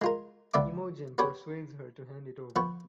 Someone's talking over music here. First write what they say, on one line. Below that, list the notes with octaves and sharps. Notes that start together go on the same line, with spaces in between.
Imogen persuades her to hand it over.
G#3 F4 A#4
C#2 B3 D5 E5 D6
B3 C#4 G4 B4 C#5 F#5
F3 B3 B4 C#6